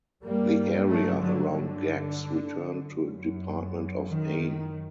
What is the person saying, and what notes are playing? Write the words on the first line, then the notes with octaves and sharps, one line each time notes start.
The area around Gex returned to department of Ain.
G2 G3 A#3
F#3 A3
D3 F#3
D3
F#2
D#3